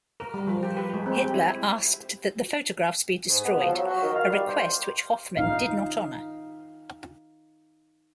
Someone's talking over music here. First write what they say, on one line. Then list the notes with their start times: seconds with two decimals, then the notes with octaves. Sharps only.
Hitler asked that the photographs be destroyed, a request which Hoffmann did not honor.
0.20 A#4
0.34 G3
0.47 F3
0.63 G4
0.77 B4
0.94 G#3
1.06 C4
1.17 G4
1.34 E4
3.29 G#2
3.45 B3
3.60 F3
3.72 F#3
3.87 F#4
4.02 D#3
4.14 F5
4.30 G3
4.48 C5
5.37 D#4 F5